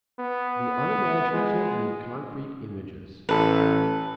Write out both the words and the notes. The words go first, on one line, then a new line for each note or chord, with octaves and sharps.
The unimaginative need concrete images.
B3
G#3
A1 A4 B4